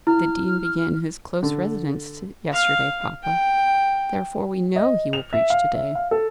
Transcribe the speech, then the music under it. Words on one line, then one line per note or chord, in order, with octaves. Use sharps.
"The dean began his close residence yesterday, papa. Therefore we know he will preach to-day."
E4 F6
D3
F5
G5
D#5
F7
E5
F5
E5
F5
A4